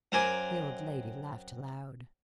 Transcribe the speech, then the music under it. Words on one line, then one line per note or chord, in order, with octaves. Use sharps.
The old lady laughed aloud.
F#2 C4 A#4 G#5 D6